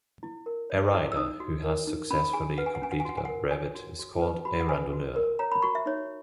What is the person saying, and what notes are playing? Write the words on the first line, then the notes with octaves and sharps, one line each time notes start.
A rider who has successfully completed a brevet is called a randonneur.
E4
A#4
C#5
E4
E6
D#4 D#6
F#4
A#4
D#4
C#4 B5
G#4 G#5
B4 F#5
G#5
F#5
C#4 G#5
F#5
G#5
F#4 F#5
G#5
F#5
A#4
C#5 G#5
F#4
F#4
B4
F#4 B5
F#5
B4 G#5
F#4
A#4
C#5 A#5
B5
F#4 C#6
E5
D#4 C#5